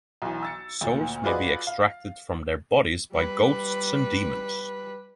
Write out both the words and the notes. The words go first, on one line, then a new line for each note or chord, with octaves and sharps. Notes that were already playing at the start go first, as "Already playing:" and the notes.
Souls may be extracted from their bodies by ghosts and demons.
B1 E3
E6 A6 C#7
D2 A#2
F4 F#4 G#4 B4 D5 D#5
F5
G3 B4